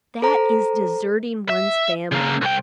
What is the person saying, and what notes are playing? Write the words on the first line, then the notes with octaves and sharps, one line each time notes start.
That is deserting one's family.
A4 C5 A#5
E5
C#3 A#3
C2 G5